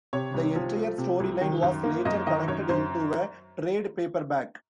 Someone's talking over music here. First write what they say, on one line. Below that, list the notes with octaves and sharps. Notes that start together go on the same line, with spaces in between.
The entire storyline was later collected into a trade paperback.
C3 C#5
C2
F3
A3
C3
C2
D#3
F#2
A#3
F#2 D#5
D#3 D#5
F#2 C#5
F#2 C5